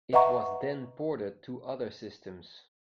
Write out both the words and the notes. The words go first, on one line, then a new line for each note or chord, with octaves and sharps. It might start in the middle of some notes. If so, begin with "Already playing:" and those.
It was then ported to other systems.
B4 D#5 E5 F#5 A#5 C#6